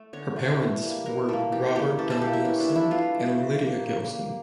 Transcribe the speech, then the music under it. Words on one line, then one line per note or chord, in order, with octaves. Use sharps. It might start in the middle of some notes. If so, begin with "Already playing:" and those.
Her parents were Robert Dunn Gilson and Lydia Gilson.
Already playing: A3
D3 C#5
A3
E3
G3 A#3
E3 A#4
G3 A#3 A4
E3 G4
G3 A#3 G4
E3 A4
A4
G3 A#3 G4
E4
E3 C#4
D4
A3
E4
E3 F4
A3
C#3
G3 A#3
C#3
G3 A#3